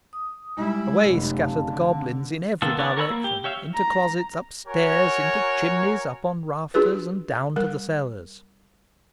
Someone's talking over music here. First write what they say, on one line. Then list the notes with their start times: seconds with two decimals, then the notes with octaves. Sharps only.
Away scattered the goblins in every direction--into closets, up stairs, into chimneys, up on rafters, and down to the cellars.
0.13 D#6
0.57 G3 G#3 E4
1.05 F1 F#2
1.36 C4 F5 A5
1.67 D3
2.62 D#3 A#3 B3 F4 A4
2.78 B3 D4 B4 C#5 D5
2.97 A#4 C#5 G#5 B5 E6
3.10 A#3
3.24 G4
3.44 G4 C#5 E5 F5
3.74 A#5
4.67 F#4 A#4 C#5 G#5
6.74 D4 F4 F#4 G#4 B4
7.56 G3 A#4